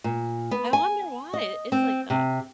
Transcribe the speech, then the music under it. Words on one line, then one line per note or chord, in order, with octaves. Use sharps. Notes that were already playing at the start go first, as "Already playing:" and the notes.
I wonder why it is like that.
A#2
B3
G#5
D#5
C4
C3